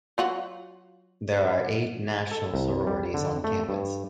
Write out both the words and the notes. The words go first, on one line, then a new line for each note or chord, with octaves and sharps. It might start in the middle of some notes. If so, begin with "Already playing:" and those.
There are eight national sororities on campus.
F#3 F4 F#4
A4
C2
G3
D3
A3
G2